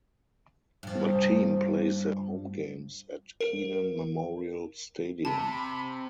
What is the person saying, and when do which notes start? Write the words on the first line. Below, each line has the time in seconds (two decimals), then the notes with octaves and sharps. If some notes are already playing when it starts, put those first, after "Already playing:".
The team plays their home games at Kenan Memorial Stadium.
0.83 G2 F3
3.41 A#4
5.25 C3 A5 B5